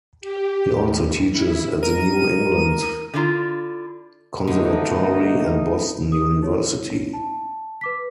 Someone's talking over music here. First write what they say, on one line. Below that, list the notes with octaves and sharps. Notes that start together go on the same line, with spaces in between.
He also teaches at the New England Conservatory and Boston University.
G4
D#2
E4
A#4 D#7
D3 D4 E4 F4 A#5
D3 A3 B3 D#4
D#6
E4 C#5
A5
B4 D6 B6